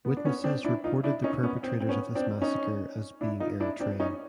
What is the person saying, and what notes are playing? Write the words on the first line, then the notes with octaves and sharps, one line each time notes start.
Witnesses reported the perpetrators of this massacre as being Eritrean.
B3
D4
B3 C#4
C4 D4
D4 E4
D#4 F4
D4 E4
C#4 D#4
B3 C#4
C4
C4
B3 C#4
C4 D4
C#4 D#4
D4 E4
D#4 F4
D4 E4
C4 D4
C#4 D#4